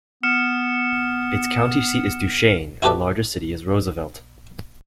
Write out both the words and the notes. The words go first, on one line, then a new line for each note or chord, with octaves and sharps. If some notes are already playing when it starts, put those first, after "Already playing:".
Its county seat is Duchesne, and the largest city is Roosevelt.
B3 F6 C#7 E7
E4 F#4 G4 A4 B4 D5